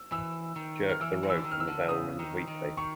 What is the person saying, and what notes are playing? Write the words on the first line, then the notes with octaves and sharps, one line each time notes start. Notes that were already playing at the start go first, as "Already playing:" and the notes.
Jerk the rope and the bell rings weakly.
Already playing: E6
E3 E6
D#3
F6
E3 E6
E3
E6
D3
D#3
F6
E6
D3
C#3 D#6
D#3
D#3
D#3 C#6